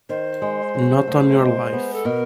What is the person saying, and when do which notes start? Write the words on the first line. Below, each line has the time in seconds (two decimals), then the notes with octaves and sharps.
Not on your life.
0.09 D#3 C5
0.42 G#3
0.75 F#3
1.07 A3
1.40 G#3
1.73 B3
1.94 A4
2.05 B2 A#4